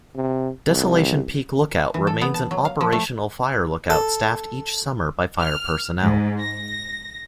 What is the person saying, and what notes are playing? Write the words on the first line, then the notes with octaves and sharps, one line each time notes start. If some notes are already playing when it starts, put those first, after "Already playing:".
Desolation Peak Lookout remains an operational fire lookout staffed each summer by fire personnel.
C3
C2
E3
A4
B3
A5
F#3
F5
F3
A3
A4
F6
G#2
A#6